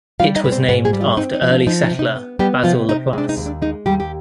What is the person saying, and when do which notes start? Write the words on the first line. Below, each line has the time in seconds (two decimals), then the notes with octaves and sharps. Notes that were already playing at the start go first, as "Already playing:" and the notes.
It was named after early settler Basile Laplace.
0.20 G3 F4 F5
0.35 D#4 D#5
0.44 G#2 B4
0.52 C4 C5
0.69 G#2 B3 B4
0.85 G#3 G#4
0.93 G3
1.01 F3 F4
1.17 C4 D#4
1.34 D#4
1.42 F3
1.50 D4
1.67 F3 D#4
1.83 D#4
1.91 C3
1.99 D#4
2.16 B3
2.39 G3 B3 G4
2.64 C3 F3 F4
2.89 C3 D#4
3.13 G#3 D4
3.29 D#4
3.37 D#2
3.46 D4
3.62 G#3 D#4
3.86 D#2 G3 G4
4.00 G4